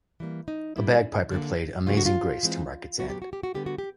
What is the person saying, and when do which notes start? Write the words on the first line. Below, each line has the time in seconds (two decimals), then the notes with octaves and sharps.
A bagpiper played "Amazing Grace" to mark its end.
0.20 E3 G3 A#3
0.48 D#4
0.76 A#2 G3 A#3 E4
1.32 D3 G3 A#3
1.87 C#3 F#3 A3 C4 F4
1.97 F#4
2.06 F4
2.43 E3 G#3 C4
2.99 A#2 F#3 B3 F#4
3.10 G4
3.22 F#4
3.33 G4
3.43 F#4
3.55 D3 G3 B3 G4
3.66 F#4
3.78 G4